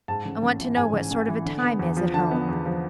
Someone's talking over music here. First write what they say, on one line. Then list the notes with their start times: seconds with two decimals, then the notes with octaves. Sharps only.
I want to know what sort of a time is at home.
0.08 G#2 A5
0.25 A1
0.43 A1
0.60 E3
0.76 G#2 G#5
0.93 A1
1.11 A1
1.28 E3
1.45 D3
1.63 B3
1.79 E2
1.97 F3
2.14 D3 A5
2.31 B3
2.48 E2
2.65 F3